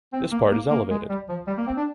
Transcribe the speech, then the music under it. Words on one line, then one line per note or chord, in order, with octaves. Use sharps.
This part is elevated.
C4
A#3
A#3
A#3
G#3
G3
F3
G3
A#3
C4
D4